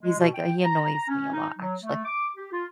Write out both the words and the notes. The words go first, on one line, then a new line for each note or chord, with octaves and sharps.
He's like, uh he annoys me a lot, actually.
G#3
B2
G5
A#5
A#5
C#4
D#4
F#3
A3
D6
G4
F4